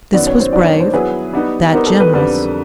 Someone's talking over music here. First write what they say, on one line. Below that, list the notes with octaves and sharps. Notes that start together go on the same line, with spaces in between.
This was brave, that generous.
F#2 D#3 F#3 B3 D5
C#5
C5
D#3 F#3 B3 D4 D5
C#5
C5
F#3 B3 E4 G#4 B4
G3 B3 D#4
G3 B3 D#4 G4 A#4 C5
A4
B4
F2 D3 G3 B4